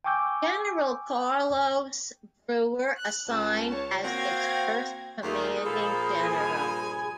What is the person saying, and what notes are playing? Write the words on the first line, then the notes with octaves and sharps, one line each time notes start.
General Carlos Brewer assigned as its first commanding general.
G5 G#5 C#6 D6 E6 G6
F#6
C#2 A5
C#5
A#3 C4 F#4 F5 G5 G#6 A#6
D#2 A3 F4 G#4 A#4
A#2 F3 A#3 A4 B5
G2 G#5